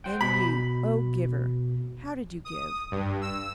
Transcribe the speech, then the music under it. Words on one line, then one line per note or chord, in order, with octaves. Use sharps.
And you, O giver! how did you give?
C5 F#5 G5
B2 B5
D#6
G2
E6